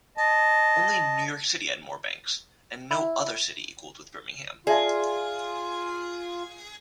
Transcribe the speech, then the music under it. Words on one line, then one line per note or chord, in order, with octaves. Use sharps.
Only New York City had more banks and no other city equaled with Birmingham.
D#5 A5
E4
F4 G#4 D5 E5 A5